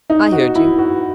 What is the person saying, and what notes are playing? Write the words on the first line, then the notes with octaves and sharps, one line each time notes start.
I heard you.
D#4
F#4
E4
F#4